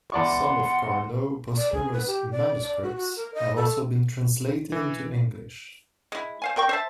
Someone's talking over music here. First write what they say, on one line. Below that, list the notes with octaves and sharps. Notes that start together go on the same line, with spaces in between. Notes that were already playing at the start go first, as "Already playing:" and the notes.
Some of Carnot's posthumous manuscripts have also been translated into English.
E2 D5 F#5 C6 C#6
D5
G#4
B4
G4
D5
D5
F#4
F#4
A#4
D#5
A4
E3
G#3 E4
C5 F5 G#5
C3 A#4 G5 C#6
C5 E5 A5